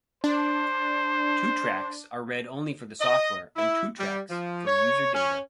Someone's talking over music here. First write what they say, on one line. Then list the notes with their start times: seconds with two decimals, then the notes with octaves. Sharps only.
Two tracks are read only for the software, and two tracks for user data.
0.24 D4 C5
3.00 D#5
3.56 E4
3.99 G3
4.29 F3
4.66 C#5
5.14 C#4